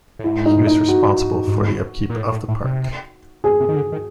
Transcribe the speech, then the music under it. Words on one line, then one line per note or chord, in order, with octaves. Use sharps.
He was responsible for the upkeep of the park.
A2
G#2 E4
D#4
D#4
F#4
G2
G#2
A#2
A2
A2
A2
C3
C3 G#4
C3
D#3
D3
D#3